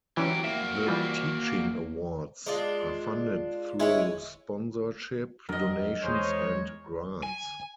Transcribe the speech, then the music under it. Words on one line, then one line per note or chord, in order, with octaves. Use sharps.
The Teaching Awards are funded through sponsorship, donations and grants.
E3 F#3 C#4 G4
A#3 F#4 E5 F5
E3 G3 F4
G#3 D4 F4
G#3 E4 B4 C#5
F2 F#3 D4 A#4 D#5
E2 G#3 D#4 G#4 C5 C#5
G#5